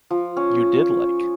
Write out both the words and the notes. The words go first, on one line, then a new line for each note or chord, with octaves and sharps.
You did like.
F3
C#4